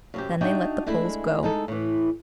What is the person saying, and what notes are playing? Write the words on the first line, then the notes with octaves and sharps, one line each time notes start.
Then they let the Poles go.
F#2 C3 G4
D4 D#4 F#4 E5 G5
G#3 A3 D4 E4
G#3 D#4 A4
A2 E3